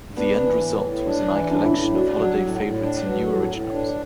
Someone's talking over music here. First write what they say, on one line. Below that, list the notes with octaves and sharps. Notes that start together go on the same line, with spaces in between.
The end result was a lcollection of holiday favorites and new originals.
B3 D4
E3
A2
A2
D4
E3
A2 D4
E4
A2 D4
D4 F#4
F#3 F#4
A2
A2
D4
F#3 B4
A2 A4
A2
D4